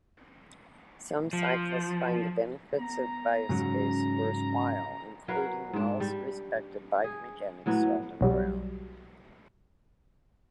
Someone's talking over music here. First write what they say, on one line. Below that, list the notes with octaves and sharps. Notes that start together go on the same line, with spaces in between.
Some cyclists find the benefits of Biopace worthwhile, including well-respected bike mechanic Sheldon Brown.
F3
B3 A#5
G#2 C#3 F#3 C#4
F#3 A#4 B4 F5
G#2 D4
G3
G#4
A2 F#3 B3
B1 F#3 G3